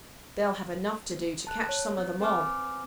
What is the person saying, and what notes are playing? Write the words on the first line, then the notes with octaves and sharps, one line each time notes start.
They'll have enough to do to catch some of the mob.
A5 F#6
C#5
C4
C4 B4 G#5 D6 F6